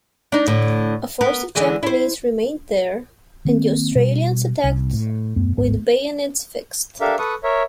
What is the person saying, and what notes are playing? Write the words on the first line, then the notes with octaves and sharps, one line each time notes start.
A force of Japanese remained there, and the Australians attacked with bayonets fixed.
D4 D#4
A2 D3
B3 A#4
D3 E3 G#3
E4 C5
D#3 A#3 C4
B2 G3
C2
A2
D#1 F#2 A3 B3
D1 G#1 G#2 B3
D4 G4 A4 A#4 E5 F5
A4 B4 C#6 D#6
A#4 C#5 E5